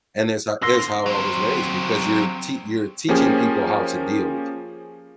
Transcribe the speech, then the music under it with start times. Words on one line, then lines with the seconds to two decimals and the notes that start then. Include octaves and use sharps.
And it's ho it's how I was raised because you're tea you're teaching people how to deal with you.
0.62 D3 C6 E6 A#6 C7
1.06 F#3 C4
3.09 F3 A#3 C#4 G4 G#4